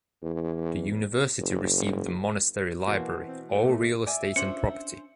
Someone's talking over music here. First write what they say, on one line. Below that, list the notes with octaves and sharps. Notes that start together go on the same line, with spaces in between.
The university received the monastery library, all real estate and property.
E2
F#1
B2 E3 A#3 F#4 C5
C4
A3
A#2
D5 E5 G#5
C#4 D4 F4 C5 C#7 F#7